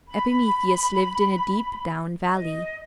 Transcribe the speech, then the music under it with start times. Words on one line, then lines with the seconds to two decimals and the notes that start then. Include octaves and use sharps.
Epimetheus lived in a deep-down valley.
0.08 B5
2.34 D#5